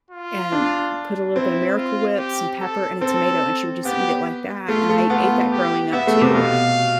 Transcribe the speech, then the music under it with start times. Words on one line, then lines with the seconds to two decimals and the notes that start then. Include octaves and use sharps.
and put a little bit of Miracle Whip some pepper and a tomato and she would just eat it like that and I ate that growing up too.
0.11 F4
0.52 D4
1.36 C4 E4
1.77 F4
2.18 G4
2.60 A4
3.01 C4 A4
3.85 B3 G4
4.68 A3 F4
4.90 A3
5.10 B3 F4
5.51 G4
5.93 B3 E5
6.07 A3
6.22 C3
6.35 B2 F5